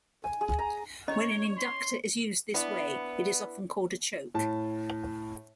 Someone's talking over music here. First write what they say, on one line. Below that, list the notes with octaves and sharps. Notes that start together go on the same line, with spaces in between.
When an inductor is used this way it is often called a choke.
G#5
G#4
A#5
C#4 E4 C#5 D#5
C6
B3 D4 E4 F#5
A2 A5